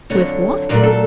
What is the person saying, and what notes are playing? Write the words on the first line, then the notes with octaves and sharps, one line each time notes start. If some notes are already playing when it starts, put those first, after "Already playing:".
"With what?"
F2 D3 F#3 C#5
A#2 F#3 A3 D5
A4